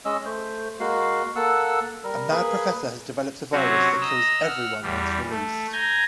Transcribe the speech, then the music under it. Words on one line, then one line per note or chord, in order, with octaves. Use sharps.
A mad professor has developed a virus that kills everyone once released.
G#3 C#4 D#5 E6
A3 C5
G#3 A#3 F#4 F5
A#3 A4 F#5 E6
G3 A#4
A#3 G#4 B4
C3 F#3 C4 C#4 F#4
D#5 A#5 E6
F#5 E6 F6
E2 G3
A3
G#5 A#5 G6 G#6